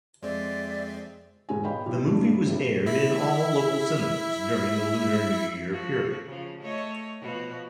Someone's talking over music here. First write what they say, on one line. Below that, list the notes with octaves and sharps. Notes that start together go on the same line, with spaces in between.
The movie was aired in all local cinemas during the Lunar New Year period.
F2 G#3 C4 D5 E5
E1 G#2 G#5
B3 C#5 D#5 F5 G5 B5
C2 F4 G4
F1 B2 F#3 G3 D4
G2
F#1 C#2 G2 C3
E4 E5
F3 F#4
C#3 F3
A3 C#5 D#5
B2 F3 F#4